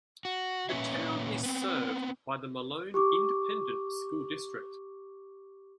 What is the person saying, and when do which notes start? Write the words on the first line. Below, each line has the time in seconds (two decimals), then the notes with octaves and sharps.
The town is served by the Malone Independent School District.
0.25 F#4
0.69 A#2 C#4 B4 C#5 E5
1.43 B3 C4
2.94 G4 C#6 D6